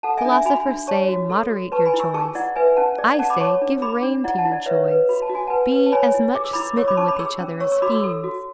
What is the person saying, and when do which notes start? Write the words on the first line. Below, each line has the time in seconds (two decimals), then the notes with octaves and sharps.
Philosophers say: 'Moderate your joys.' I say: 'Give rein to your joys.' Be as much smitten with each other as fiends.
0.03 A4 F#5 A5
0.17 E5 G#5
0.25 D4
0.31 E5 G#5
0.45 F#4 G#5 B5
0.67 D4
0.87 C#5 A5 C#6
1.08 F#4
1.30 A4
1.50 F#4
1.72 B4 A5 C#6
1.86 G#5 B5
1.94 E4
2.00 C#6 E6
2.14 G#4 A5 C#6
2.35 E4 D5 F#5
2.56 B4 E5 G#5
2.77 C#4 F#5 A5
2.98 G#4 D5
3.09 D5
3.19 C#4 F#5 A5
3.30 B5 D6
3.40 C#5 A5 C#6
3.62 D4
3.82 G#4 B5 D6
4.03 D4
4.24 E4 D5 F#5
4.38 F#5 A5
4.45 E4
4.52 D5
4.66 B4 C#5 E5
4.88 B4
5.09 F#4 B5
5.22 A5
5.29 F#4
5.35 G#5
5.47 B4 F#5 A5
5.72 B4
5.86 A5
5.92 C#5 G#5 B5
6.14 E4
6.34 G#4 D6
6.44 E6
6.53 E4 B5 D6
6.70 D6
6.77 C#5 C#6 E6
6.88 B5 D6
6.97 C#4 A5 C#6
7.08 B5 D6
7.19 G#4 C#6 E6
7.40 C#4
7.60 C#5 C#6 E6
7.72 C#6 E6
7.82 F#4 B5 D6
7.92 C#6 E6
8.04 A4
8.24 F#4